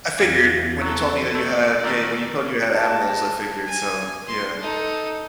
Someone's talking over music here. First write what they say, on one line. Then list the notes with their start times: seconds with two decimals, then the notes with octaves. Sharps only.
I figured, when you told me that you had yeah, when you told you had animals, I figured, so, yeah.
0.19 E2 D4 E4 F4
0.82 F#3 A4
1.35 A3 D5
1.84 D#3 A3 A#4
2.74 G4 G#4 D#5 A5
3.66 G#5
4.27 C6
4.59 D#4 A4